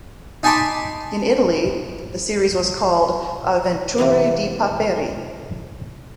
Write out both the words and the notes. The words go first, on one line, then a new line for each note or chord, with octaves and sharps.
In Italy, the series was called "Avventure di paperi".
D#4 G#5 A5 B5 C6 D6
C3 E3 A#3